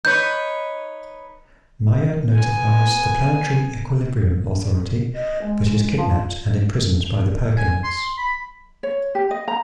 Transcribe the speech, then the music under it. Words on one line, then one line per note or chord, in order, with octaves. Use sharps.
Maia notifies the "Planetary Equilibrium Authority", but is kidnapped and imprisoned by the Perkinites.
D#4 B4 C#5 G6
B3 G#5
D#5
G#3 G#5
F3 A5
G#5
C6
B5
C#5
G4
D#5
A#5